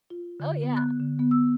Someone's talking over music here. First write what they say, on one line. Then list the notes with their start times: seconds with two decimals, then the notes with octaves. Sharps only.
Oh, yeah.
0.10 F4
0.40 D3
0.64 B3
0.77 F#6
0.99 D3
1.19 B3
1.31 E6